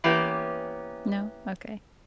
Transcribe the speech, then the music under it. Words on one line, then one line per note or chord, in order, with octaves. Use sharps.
No? Okay.
E3 A#3 B3 C#4 G4